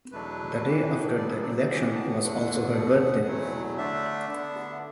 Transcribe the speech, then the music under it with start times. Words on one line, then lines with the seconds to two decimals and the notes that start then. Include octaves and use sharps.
The day after the election was also her birthday.
0.12 E2 B2 F#3 A3 D4 B4
0.64 A2 E3 D4
1.17 F#2 F#3 B3 D5
1.30 A4
1.42 D5
1.56 A4
1.69 A2 E3 B3 D5
1.82 F#5
1.95 A5
2.09 F#5
2.21 E2 D3 A3 D4 F#5
2.74 E2 B2 B3
3.25 E2 B2 F#3 A3
3.77 D3 A3 D4 E5
4.30 D3 B3 D4